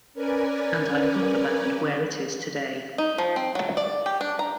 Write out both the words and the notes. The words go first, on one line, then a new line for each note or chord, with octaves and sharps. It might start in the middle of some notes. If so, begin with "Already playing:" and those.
And I've got the band where it is today.
C#4 A#4 B4 D5 G#5
D#4
F3
C4
F#3
D5
G4
D4
A#5